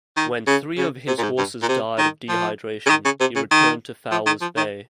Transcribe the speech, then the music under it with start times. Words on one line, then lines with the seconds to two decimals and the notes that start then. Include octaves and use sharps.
When three of his horses died of dehydration, he returned to Fowler's Bay.
0.16 D#3
0.47 C#3
0.77 C#3
1.07 C3
1.18 A#2
1.23 G#2
1.38 G2
1.62 A#2
1.68 C3
1.98 D#3
2.29 F3
2.86 C#3
2.90 D#3
3.05 C#3
3.20 C3
3.35 C#3
3.51 D#3
4.11 F3
4.26 D#3
4.41 F3
4.57 D#3